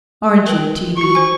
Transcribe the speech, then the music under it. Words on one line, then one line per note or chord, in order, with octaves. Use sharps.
Aren't you, T. D.?
A#4 B4 G5
F4 F#4 C#6
C5 G#5